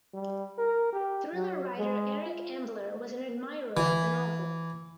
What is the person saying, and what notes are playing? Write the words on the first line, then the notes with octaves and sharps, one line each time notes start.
Thriller writer Eric Ambler was an admirer of the novel.
G3
A#4
G4
F#3
G#3
F4
E3